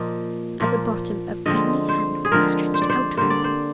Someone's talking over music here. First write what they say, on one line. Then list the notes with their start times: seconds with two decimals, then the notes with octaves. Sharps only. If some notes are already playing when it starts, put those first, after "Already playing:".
At the bottom a friendly hand will be stretched out for you.
Already playing: A#2 F3 A#3 D#5
0.60 A#2 F3 A#3
1.46 D3 F3 G#3 C4 D#5
1.89 C5
2.25 G#4
2.31 D3 F3 G#3 C4 A#4
2.74 C5
2.82 D5
2.90 C5
3.17 D3 G3 A#3 C5
3.30 D5
3.44 C5